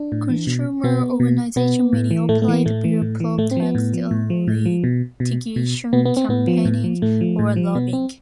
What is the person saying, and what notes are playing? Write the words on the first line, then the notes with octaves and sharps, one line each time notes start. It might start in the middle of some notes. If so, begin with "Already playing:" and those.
Consumer organizations may operate via protests, litigation, campaigning, or lobbying.
Already playing: D4
A2
E3
B2
B2 B3
B2
B2 B3
A2
E3
A2 A3
A3
E3
B3
A2 A3
E3
A2
E3
A2 A3
C4
F3
B3
A2
F3
A2
F3
A2
F3
B2
B2
B2
B2 B3
B3
C4
A2 B3
F3
A2
F3
A2 A3
F3
A2
F3
B2 B3
C4